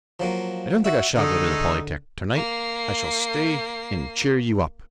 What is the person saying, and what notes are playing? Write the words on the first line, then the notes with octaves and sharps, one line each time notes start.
I don't think I shall go to the Polytec. to-night; I shall stay and cheer you up.
F3 F#3 A#3
F#4 E5
D3 G#3 A3 D#4
A#3 C7